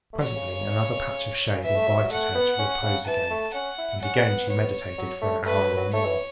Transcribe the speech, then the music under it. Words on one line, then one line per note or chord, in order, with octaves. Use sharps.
Presently another patch of shade invited her to repose again, and again she meditated for an hour or more.
A3
F#3 C#5
C#3
C#3
C#3
C#3
E3 E5
A3
F#3
F#3
A3 F#5
B3
C#4
C#3
E3 A5
A3
C#4 F#5
E4
C#4 F#5
C#4
B3
C#5
F#3
A3
A3 B4
F#3
F#3
A3 C#5
E3